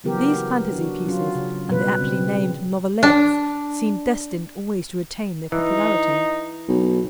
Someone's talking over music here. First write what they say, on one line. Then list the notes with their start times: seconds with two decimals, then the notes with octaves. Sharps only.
These "Fantasie Pieces" and the aptly named "Novelettes" seem destined always to retain their popularity.
0.04 C#3 E3 F#3 B3 G4 A#4
0.72 D4 F#4
1.05 F#3 C#4 F4
1.35 C#3
1.70 B2 G3 B4
2.01 C#3 C4
3.03 D4
5.52 E3 D#4
6.69 B1